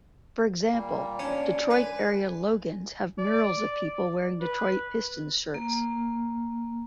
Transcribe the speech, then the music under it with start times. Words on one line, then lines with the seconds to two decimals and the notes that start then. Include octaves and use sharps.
For example, Detroit area Logan's have murals of people wearing Detroit Pistons shirts.
0.72 A#2 G3 A#3
1.19 C#4 D4
1.70 B4 G#5
3.18 D5
4.41 B4
5.54 A#3